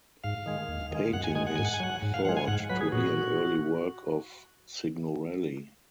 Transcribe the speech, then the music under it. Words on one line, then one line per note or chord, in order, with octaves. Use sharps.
The painting is thought to be an early work of Signorelli.
G#2 F5
D#3 G#3
D#2
D#3 G#3
F#2 F#5
G#5
D#3 G#3 G#5
F#5
G#2 G#5
F#5
G#5
F#3 F#5
G#2
F5
F3 G#3 F#5
G#5
G#2 F#5
F#3 B4
G#4
A#2 F#4